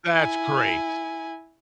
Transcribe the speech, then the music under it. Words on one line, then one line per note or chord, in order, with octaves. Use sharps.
That's great.
E4 G#5